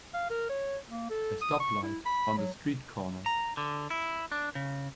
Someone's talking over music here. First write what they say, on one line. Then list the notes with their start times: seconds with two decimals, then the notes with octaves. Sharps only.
A stoplight on the street corner.
0.14 F5
0.30 A#4
0.49 C#5
0.88 A#3
1.10 A4
1.41 D#6
1.60 C#6
1.82 E4
2.05 B5
2.37 F#3
3.26 A#5
3.57 D3
3.90 E4
4.32 D4
4.55 C#3